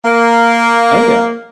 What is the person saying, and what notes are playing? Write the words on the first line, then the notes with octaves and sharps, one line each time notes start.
Oh, yeah.
A#3